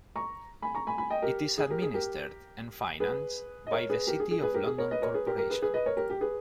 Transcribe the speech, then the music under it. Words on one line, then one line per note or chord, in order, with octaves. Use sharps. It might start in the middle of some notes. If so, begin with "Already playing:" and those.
It is administered and financed by the City of London Corporation.
A#5 C#6
G#5 B5
A#5 C#6
G#5 B5
G#5 B5
D#5 G5
G4 A#4
G#4
G4 A#4
G#4
G4 A#4
G#4 B4
D#5
A#4 C#5
G#4 B4
G4 A#4
G#4
G#4
G#4 B4
G4 A#4
G#4
A#4 C#5
B4 D#5
A#4 C#5
G#4 B4
G4 A#4
G4 A#4
G#4 B4
G#4 B4
B4 D#5
A#4 C#5
G4 A#4
G4
G#4 B4